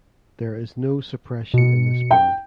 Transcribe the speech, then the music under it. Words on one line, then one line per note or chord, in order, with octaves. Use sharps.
There is no suppression in this bill.
B2 C#7
G5